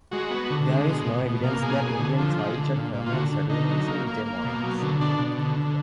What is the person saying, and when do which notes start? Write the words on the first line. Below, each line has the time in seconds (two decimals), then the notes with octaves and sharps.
There is no evidence that Indian tribes had permanent settlements in Des Moines.
0.11 G#3 F#4
0.30 B3
0.50 D3
0.69 G#3
0.87 B2
1.07 B2
1.25 B2
1.43 A#3
1.62 B2 G#4
1.81 B2
2.00 D3
2.18 F3
2.38 G#3
2.57 D3
2.76 A#2
2.94 A#2
3.06 F4
3.12 D3 F#4
3.32 D3
3.50 D3 D#4
3.69 F#3
3.88 A#3
4.07 A#3
4.26 A#3
4.45 B2
4.63 F#3
4.82 D3
5.00 B2 D4
5.19 B2
5.38 D3
5.56 D3